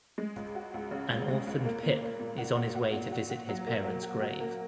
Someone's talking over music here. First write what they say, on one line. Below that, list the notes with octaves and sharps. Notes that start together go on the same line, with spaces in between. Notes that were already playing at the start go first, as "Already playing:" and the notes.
An orphaned Pip is on his way to visit his parents' grave.
G#3
C#2
F#4
C#2
C#3
C#2
G#3
C#2
A#3
A#2
A#3
A#2
F#4
A#2
F#4
A#2
F#4
F#4
F#3
A#3
F#3
F#4
F#4
A#3